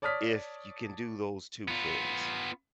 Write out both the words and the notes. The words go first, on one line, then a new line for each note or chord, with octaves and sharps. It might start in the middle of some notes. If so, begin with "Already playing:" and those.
if you can do those two things,
C#5 D5 A5 D#6 F6 B6
B3 F4